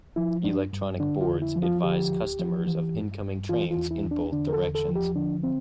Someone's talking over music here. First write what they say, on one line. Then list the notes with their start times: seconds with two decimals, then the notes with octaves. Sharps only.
Electronic boards advise customers of incoming trains in both directions.
0.16 F3 E4
0.44 G2 D4
0.73 G2
1.00 D3 D4
1.21 F4
1.28 F2
1.42 E4
1.56 F3
1.63 F4
1.83 D3 G4
2.10 D2
2.39 F3
2.67 E3
2.95 G2
3.22 G2
3.49 E3 F4
3.71 F4
3.77 E2
3.91 E4
4.05 E2
4.11 D4
4.32 D3 D4
4.48 A#4
4.53 A4
4.60 E2
4.75 A4
4.89 F3
4.95 G4
5.16 D3 D4
5.43 C4